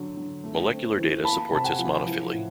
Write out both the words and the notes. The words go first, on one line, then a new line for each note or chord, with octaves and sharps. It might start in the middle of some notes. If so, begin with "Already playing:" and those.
Molecular data supports its monophyly.
Already playing: D3 F#3
D3
A3
C4
E3
A#3 A5 B5
C3 A5
F#5 G#5
F3
E3
A2